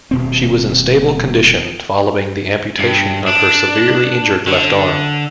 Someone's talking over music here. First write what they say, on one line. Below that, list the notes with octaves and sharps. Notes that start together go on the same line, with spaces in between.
She was in stable condition following the amputation of her severely injured left arm.
D#1 B2 C4
G2
D4
D3